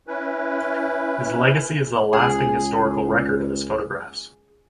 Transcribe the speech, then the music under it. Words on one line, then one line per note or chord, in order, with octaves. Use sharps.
His legacy is the lasting historical record of his photographs.
C#4 E4 B4
C#2 G#4